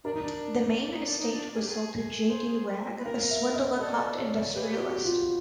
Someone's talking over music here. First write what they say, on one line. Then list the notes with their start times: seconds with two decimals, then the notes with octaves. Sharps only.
The main estate was sold to J. D. Wragg, a Swadlincote industrialist.
0.04 D4 A#4
0.14 D#4
0.22 D4
0.79 D4
0.93 D#4
1.06 D4
1.19 D#4
1.32 D4
1.54 G#4
1.62 G4
1.69 G#4
2.30 C5
2.99 B4
3.05 A#4 F5
3.30 E5
3.55 D#5
3.79 A4 D5
4.17 C#5
4.55 G4 B4
4.62 G#4
4.70 G4
4.80 F#4
5.05 F4